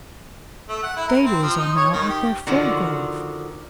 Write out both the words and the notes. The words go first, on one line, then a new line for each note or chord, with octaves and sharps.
Dahlias are now at their full growth.
A3
F#5
E4
A#4
C4
F3
D#4
C#5
D#3
G4
D3 D#3 F3 F#4